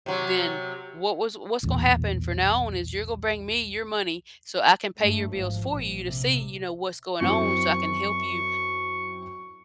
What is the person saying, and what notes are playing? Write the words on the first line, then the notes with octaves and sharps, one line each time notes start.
then, what was what's gonna happen from now on is you're gonna bring me your money, so I can pay your bills for you to see, you know, what's going on, so I can help you,
C3 F#3
B1 E2 A#2
G2 A3
G#1 F3
A#1
C3
F#2 C4 E4 C#6